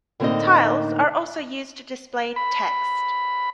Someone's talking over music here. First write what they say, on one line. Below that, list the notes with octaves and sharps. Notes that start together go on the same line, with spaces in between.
Tiles are also used to display text.
A2 D3 A#3 C4 D#4 D#5
B5